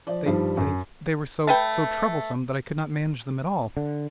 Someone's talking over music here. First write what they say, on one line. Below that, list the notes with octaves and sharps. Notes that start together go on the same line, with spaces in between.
They--they--they were so--so troublesome--that I could not manage them at all.
F3 D5
G2 D#3 F3 G3
F#2
A3 B4 G5
D3